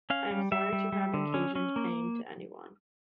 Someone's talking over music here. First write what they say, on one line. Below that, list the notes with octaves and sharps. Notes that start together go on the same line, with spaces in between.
I am sorry to have occasioned pain to anyone.
C#4 F5
G3
G3 E5
G3
G3
D3
C#4
C#4
A#3